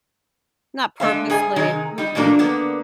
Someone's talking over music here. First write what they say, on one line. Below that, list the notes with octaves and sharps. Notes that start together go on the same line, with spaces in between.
Not purposely. Mm-mm.
D3 G#3 E5 F5
G#2 G#4 G#5
C3 D#3 D#4 G#4
G3 D#4
A#2 E3 F3 A3 A#3 D4
D3 A#3 B3